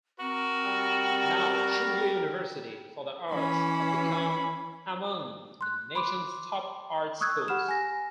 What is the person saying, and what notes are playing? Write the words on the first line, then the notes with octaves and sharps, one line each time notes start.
Now Chugye University for the Arts has become among the nation's top art schools.
C4 F#4 A#4
G3
E3 C#4 B5
C6 F#6
B5 C6 D6
C#6 D#6 E6 F#6 G#6
G4 F#5 B5 F6 E7
G#5 A#6